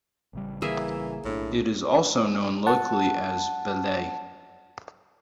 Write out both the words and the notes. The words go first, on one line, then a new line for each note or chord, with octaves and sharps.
It is also known locally as "Belait".
A1 C#3 G3
E3 A#3 G#4 E5
B1 A2 D4
F#5 A5